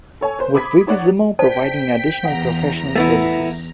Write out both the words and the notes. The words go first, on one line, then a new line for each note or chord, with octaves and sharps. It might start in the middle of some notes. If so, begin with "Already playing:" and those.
With Vivisimo providing additional professional services.
A4 C#5 G#5
B4 C5
B5 D6 D#6 G#6 B6
D#4 C#5 D5 F#5
C5 D5 G5 A5 B6
E2 F5 F#5 A#5
A3 B3 E4